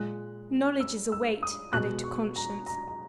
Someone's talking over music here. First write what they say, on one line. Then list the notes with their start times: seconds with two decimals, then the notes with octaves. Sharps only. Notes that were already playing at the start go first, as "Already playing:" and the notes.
"Knowledge is a weight added to conscience."
Already playing: A#2 G#3 F#6
0.80 E6
1.12 E6
1.43 D#6
1.73 B2 G#3 F#6
2.04 C#6
2.36 A#5
2.66 A#5
2.88 A#5